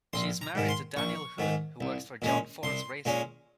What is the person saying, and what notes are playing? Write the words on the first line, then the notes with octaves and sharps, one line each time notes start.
She is married to Daniel Hood, who works for John Force Racing.
A#1 C6
A#5
G#2 D#3
C6
A#1 C#6
G#2 D#3
C2
A#2 G#3 C#4
C2 C6
A#2 G#3 C#4